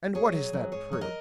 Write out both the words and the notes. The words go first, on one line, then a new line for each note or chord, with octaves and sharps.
"And what is that proof?"
G#2 G#4 C#5
F#3
F#3
G#2 G#4 C#5
F#3 C#5
A#4 D#5